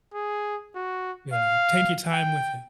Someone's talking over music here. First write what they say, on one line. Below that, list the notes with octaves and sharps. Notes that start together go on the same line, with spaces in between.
yeah, take your time with him.
G#4
F#4
F5
G5